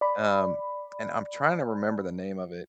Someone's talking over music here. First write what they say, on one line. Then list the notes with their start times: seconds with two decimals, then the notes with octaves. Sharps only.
um, and I'm tryna remember the name of it,
0.01 D5 B5